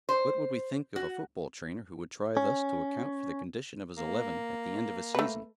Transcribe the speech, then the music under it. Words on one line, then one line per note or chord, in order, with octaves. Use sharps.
What would we think of a football trainer who would try thus to account for the condition of his eleven at the end of a season?
C5
F#4
C#4
A#3
A3 B4